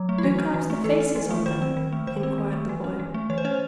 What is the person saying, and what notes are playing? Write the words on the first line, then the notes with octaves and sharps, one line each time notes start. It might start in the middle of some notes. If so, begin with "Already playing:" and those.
"Who carves the faces on them?" inquired the boy.
Already playing: F#3
A3
E4
E3 F#4
C#4
E3
A3
E3 A4
C#4
E3
A3
D#3 C5
C4
D#3
A3
D#3 C5
C4
D#3
A3
E3
C#4
E3
A3
E3 C#5
C5
C#4 C#5